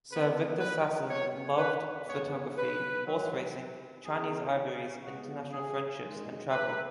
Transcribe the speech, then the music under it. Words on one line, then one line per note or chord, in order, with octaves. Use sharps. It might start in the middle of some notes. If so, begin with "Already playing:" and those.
Sir Victor Sassoon loved photography, horse racing, Chinese ivories, international friendships and travel.
C#3 B3 B4
B4
B2 B3 C#5
B4
G#2 G#3 B3 C#5
B4
G#2 D#3 F#3
C#3 B3 G#4
B2 G#3 B3 F#4
G#4
F#2 D#3 G#3
B4